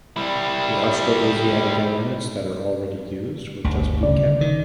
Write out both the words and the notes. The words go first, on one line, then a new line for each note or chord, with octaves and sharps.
The Austroasiatic elements that are already used will just be kept.
G3 E4
G1 D2
C2 C#3 D5
D#3